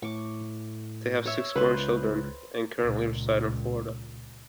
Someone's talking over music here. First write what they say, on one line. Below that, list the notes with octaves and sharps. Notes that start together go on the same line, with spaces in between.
They have six grown children, and currently reside in Florida.
A2 C#6 D6
C#5 E5
C#2 B4 C5 F#6
C#2 A#2